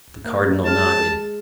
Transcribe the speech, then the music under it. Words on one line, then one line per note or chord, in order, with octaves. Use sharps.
The Cardinal nodded.
A#3
G#3 A5 F6